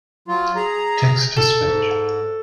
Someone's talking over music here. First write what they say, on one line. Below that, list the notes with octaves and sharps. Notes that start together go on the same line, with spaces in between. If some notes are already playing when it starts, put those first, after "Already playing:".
Text to Speech.
F#3 F4
G#4 A#5
A4
G#2